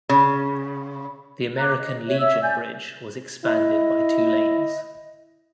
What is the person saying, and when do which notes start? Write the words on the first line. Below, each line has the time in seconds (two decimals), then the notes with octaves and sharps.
The American Legion Bridge was expanded by two lanes.
0.09 C#3
1.57 A#5 D6 F#6
1.78 D#5
2.07 C#5 E5
2.20 C#5 E5 E6
2.42 D5 G#5 G6
3.45 E4 D#5